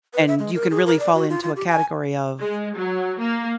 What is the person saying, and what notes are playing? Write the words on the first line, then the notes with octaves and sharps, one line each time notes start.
And you can really fall into a category of,
B4
E5
G#3
A#4
G#4
A#4
D5
F#4
F4
F4
G4
G#5
G#3
F#3
A#3